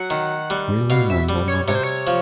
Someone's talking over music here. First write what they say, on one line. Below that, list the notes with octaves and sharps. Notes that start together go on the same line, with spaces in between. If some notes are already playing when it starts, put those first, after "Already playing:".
We'll remember, mother!
Already playing: F#3 F#5
D#3
G3
B2 F5
E5
G3
C#5
C3 C#5
C5
C#5
F3